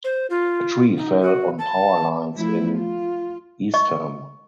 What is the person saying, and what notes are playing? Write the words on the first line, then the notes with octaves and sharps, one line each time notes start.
A tree fell on power lines in Eastham.
C5
F4
D#4
F#4
A5
F3 A3 E4
F4
D#5 C#6